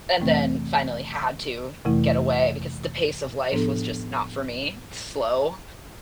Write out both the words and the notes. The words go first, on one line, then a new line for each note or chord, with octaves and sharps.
and then finally had to get away because the pace of life was just not for me, slow.
F2 C3 E3 A3 C4
F2 C3 E3 A3 E4
A2 F3 B3 D4 A4